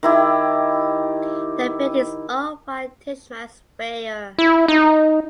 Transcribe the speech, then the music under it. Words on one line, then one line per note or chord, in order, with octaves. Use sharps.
The building is owned by Tishman Speyer.
D#3 E4 G4
E4
D#4